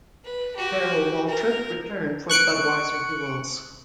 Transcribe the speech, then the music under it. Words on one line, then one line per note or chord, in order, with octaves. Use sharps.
Darrell Waltrip returned for the Budweiser Duels.
B4
F#4 G4
A#4
C#6 F#6 C#7 D7